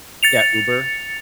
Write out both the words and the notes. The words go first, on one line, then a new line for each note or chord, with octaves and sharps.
Yeah, Uber,
A6 C#7 F7